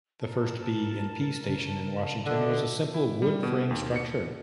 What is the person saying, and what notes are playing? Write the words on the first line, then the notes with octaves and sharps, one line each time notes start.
The first B and P station in Washington was a simple wood frame structure.
A#4 A5
C#3
D3 D#5 E5 A5
E4
G3
B2
D#2
C#7